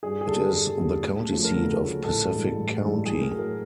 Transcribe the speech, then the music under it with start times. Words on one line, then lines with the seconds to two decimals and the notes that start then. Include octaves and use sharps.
It is the county seat of Pacific County.
0.03 G2 G#4
0.21 G#4
0.28 D3 G3 A4
0.53 G2
0.78 D3 G3
1.03 D2
1.29 C#3 F3 A3 C#4
1.45 A#4
1.54 D2 A4
1.79 C#3 F3 A3 C#4
2.04 A1 A4
2.30 G2 E3 G#3
2.55 A1
2.80 G2 E3 G#3
3.05 A2 G#4
3.22 A#4
3.31 F#3 A3
3.39 A#4